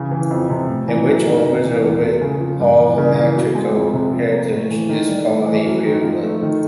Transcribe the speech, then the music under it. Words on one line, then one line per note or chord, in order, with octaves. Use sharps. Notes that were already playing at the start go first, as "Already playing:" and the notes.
A witch or wizard with all magical heritage is called a pure-blood.
Already playing: C#3 E3
E3
F2
C3
A2
E3
F#2
D#3
C3
E3
E2
B2
C#3
F3
G2
E3
C#3
E3
B2
G#3
F2
C3
F3
A#3
A2
E3
D#3
G3
A2
E3
F#2
D#3
F3
A3
D#3